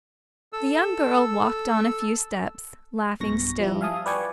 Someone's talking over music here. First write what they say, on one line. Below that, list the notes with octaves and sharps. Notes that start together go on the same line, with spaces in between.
The young girl walked on a few steps, laughing still.
A4 E6
B1 G2 B2 C#6 A#6
F3 G3 E4
E5 F5 G#5 A5 D#6
B4 D5 G5 G#5 C#6